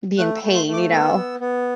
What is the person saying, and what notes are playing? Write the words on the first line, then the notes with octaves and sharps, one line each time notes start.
be in pain, you know?
A3 F#6
E6
A3
C6
A3
D6
B3 E6
B3
B3